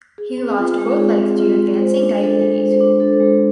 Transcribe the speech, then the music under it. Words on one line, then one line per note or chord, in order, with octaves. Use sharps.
He lost both legs due to advancing diabetes.
G#4
C4
F4
G#3
G#4
C4
F4
G#3
C5
D4
A4
G#3
C5
D4
A4
G#3